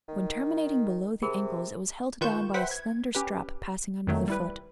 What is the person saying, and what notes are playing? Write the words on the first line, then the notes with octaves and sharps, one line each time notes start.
When terminating below the ankles it was held down by a slender strap passing under the foot.
D#3
C3 G#4 A#4 B5
D#3 F4 B4 C#6 G6 E7
B4 C5 E5 F#5 G5 B6
G#6
C#4 G4 B4
F2 D#3 F#3 A3
G3 E4 B4